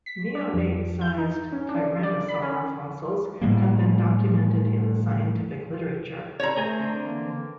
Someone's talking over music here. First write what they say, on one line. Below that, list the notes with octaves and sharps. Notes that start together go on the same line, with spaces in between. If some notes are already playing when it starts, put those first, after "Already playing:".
Neonate sized tyrannosaur fossils have been documented in the scientific literature.
B6
D4
F2
G6
D#4
C#4
D4
D5
B5
C#4
A2 G3 A#3
C#5 A#5
A3 G#4 A#4 C5 G#5
D3 C4
D#3 E3 A#3